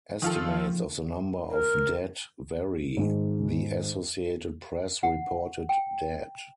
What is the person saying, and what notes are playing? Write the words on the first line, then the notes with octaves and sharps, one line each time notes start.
Estimates of the number of dead vary; the Associated Press reported dead.
D#3 F3 F4 A4
A#4
G#2 D#3
F#5
G5